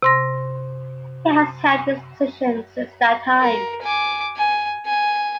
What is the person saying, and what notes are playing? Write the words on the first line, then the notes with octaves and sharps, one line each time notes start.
He has held this position since that time.
C3 C6 A#6
A#4
G#5 D6
G#5
G#5